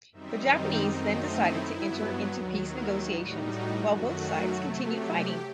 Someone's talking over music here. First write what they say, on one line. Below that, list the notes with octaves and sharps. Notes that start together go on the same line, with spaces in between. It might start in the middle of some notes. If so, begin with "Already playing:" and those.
The Japanese then decided to enter into peace negotiations, while both sides continued fighting.
F#2 D#3 G3 C4 D#4 E5
G4
F#2 D#3 A3 C4 D#4 F#4
E4
G2 F#3 B3
D#2 D#3 F#3 F#4
E4
A2 G3 D#4 F#4
F#4
F#2 D#3 F#3 A3 F#4
C3 F#3 A3
G4